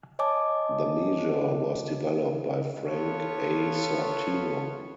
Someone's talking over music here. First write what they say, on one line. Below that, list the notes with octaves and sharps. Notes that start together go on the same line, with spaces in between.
The measure was developed by Frank A. Sortino.
C#5 D#5 G#5 A5 D6
B3 F4 A4 C#5 F5